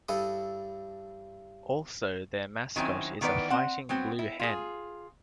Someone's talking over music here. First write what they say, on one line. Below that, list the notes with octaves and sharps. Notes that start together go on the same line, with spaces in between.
Also their mascot is a fighting blue hen.
G2 E4 A4 D#6
D#3 F#3 C4 C#4 E4
D#3 E3 B3 B4 D5
C4 F#5
F#3 B3 C4
E4
F4 G#4